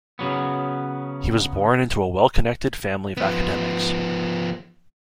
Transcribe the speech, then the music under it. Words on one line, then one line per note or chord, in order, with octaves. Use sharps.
He was born into a well-connected family of academics.
C#3 F#3 B3
F3 B3